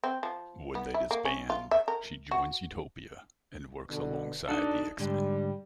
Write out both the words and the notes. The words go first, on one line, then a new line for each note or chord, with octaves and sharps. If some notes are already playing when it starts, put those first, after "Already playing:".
When they disband she joins Utopia and works alongside the X-Men.
C4
F3
B3
E4
A#3
C#4
F4
E5
A#4
F#4
B2 D3
D4 D#4 F#4 A4
G#2 D3 G3